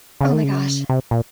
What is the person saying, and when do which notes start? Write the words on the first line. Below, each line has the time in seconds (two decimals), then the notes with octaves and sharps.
Oh my gosh.
0.21 C#3
0.32 D#3
0.44 C#3
0.90 C3
1.11 A#2